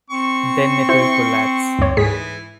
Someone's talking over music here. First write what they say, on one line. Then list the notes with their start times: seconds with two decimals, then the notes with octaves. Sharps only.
Then it will collapse.
0.10 C4 C#6
0.89 E4 C5
1.79 D2 G2 C#5
1.97 G#2 E3 G#4 B6